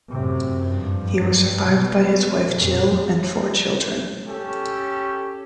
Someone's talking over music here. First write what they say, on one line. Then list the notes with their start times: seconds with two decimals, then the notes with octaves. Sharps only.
He was survived by his wife Jill and four children.
0.11 F#2 A2 C3
0.67 G2 F3
1.66 B2
2.57 F2 A#2
4.26 C#4 G4 A4